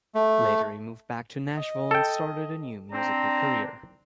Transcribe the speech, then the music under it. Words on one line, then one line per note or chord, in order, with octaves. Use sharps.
Later he moved back to Nashville and started a new musical career.
A3
D#5
A4 G5
C4 D4 A#5